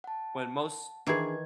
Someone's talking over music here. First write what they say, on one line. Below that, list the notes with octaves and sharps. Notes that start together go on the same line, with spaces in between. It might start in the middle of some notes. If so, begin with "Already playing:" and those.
when most
F#5 A5
D#3 E3 D4 G#4 D#5 G#6